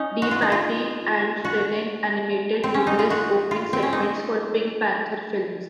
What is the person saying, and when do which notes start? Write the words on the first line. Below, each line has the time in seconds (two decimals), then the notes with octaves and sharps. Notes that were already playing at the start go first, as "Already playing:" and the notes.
DePatie and Freleng animated numerous opening segments for Pink Panther films.
Already playing: C#4 D#4
0.22 F#4
0.31 F4
0.42 D#4
0.52 F4
1.45 F#4
2.64 C4
2.74 C#4
2.87 D#4
2.99 F4
3.10 F#4
3.51 F4
3.73 C4
3.83 C#4
3.93 D#4